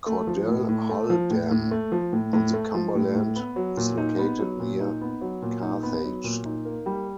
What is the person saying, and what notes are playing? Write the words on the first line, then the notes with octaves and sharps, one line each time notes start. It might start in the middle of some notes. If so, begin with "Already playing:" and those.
Cordell Hull Dam on the Cumberland is located near Carthage.
A3
F3
A2
A2
A3
F3
A2
A2
A3
F3
A2
A2
A3
F3
A2
A2
B3
F#3
A#2
D#4
B3
F#3
A#2
D#4
B3
F#3
A#2
D#4
B3
F#3
A#2
D#4
A#3
G3